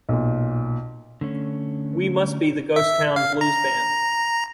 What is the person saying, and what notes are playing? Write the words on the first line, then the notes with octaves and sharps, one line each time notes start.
We must be the Ghost Town Blues Band.
B1 A#2
D3 A3 C#4
E5
F5
A#5